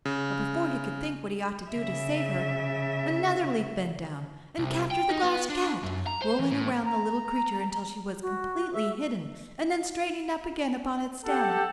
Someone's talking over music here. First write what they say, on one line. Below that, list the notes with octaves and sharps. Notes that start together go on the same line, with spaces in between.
But, before he could think what he ought to do to save her, another leaf bent down and captured the Glass Cat, rolling around the little creature until she was completely hidden, and then straightening up again upon its stem.
C#3
C#3 E5
C2
G5
D#4
B3
D4
F#2
A#5
C5
E3
A2
A#5
F#4
E5
G4 A4 F#5 A5